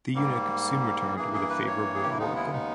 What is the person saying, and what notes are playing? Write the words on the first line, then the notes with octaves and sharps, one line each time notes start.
The eunuch soon returned with a favorable oracle.
G#2 G3 A#3
G2 E3 A#3 G#4
G#4
B4
C#5
G#4
G4
E4
D#2 C#3 G#3 B3 D#4
E4
D#4